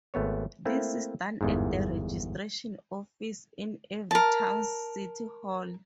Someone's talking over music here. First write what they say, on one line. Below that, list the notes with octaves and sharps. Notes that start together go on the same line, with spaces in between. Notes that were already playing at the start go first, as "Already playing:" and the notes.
This is done at the registration office in every town's city hall.
G#1 A3 B3 C#5
A3 A#3 C4 E4
G1 E2 G#2
A#4 A5